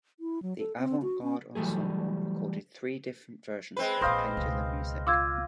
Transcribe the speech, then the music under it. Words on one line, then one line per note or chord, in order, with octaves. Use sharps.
The Avant-Garde Ensemble recorded three different versions of "Pendulum Music".
E4
F#3
A4
C4
F#4
C#4
E3 F#3 G3 A3 G#4
G#3 C4 B4
A#1 A#2 C5 D#5 F5
C#2 B2
F4 D6 E6 G#6